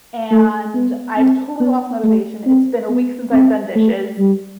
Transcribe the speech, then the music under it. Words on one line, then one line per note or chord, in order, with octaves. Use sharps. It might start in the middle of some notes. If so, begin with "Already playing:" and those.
and I've totally lost motivation, it's been a week since I've done dishes,
A3
B3
C4
B3
A3
C4
B3
C4
A3
G3